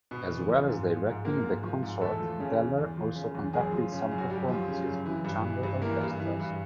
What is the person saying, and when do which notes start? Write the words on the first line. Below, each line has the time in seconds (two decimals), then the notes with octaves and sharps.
As well as directing the Consort, Deller also conducted some performances with chamber orchestras.
0.11 B2
0.30 E2
0.49 F3
0.68 G#2
0.88 F3
1.06 G#2
1.25 F3 A#3 A#4
1.44 G#2
1.63 F3
1.83 G#2
2.01 E2 A3 A4
2.20 F3
2.40 C#3
2.58 E2
2.78 E2
2.97 F3
3.16 C#3
3.35 E2
3.53 F#2 G#3 G#4
3.72 F3
3.92 C#3
4.11 F#2
4.18 F#4
4.30 F#2 G3 G4
4.49 F3
4.68 C#3
4.87 F#2
5.06 E3
5.24 G2
5.44 E3
5.63 G2
5.82 E3 A#3 A#4
6.01 G2
6.20 E3
6.39 G2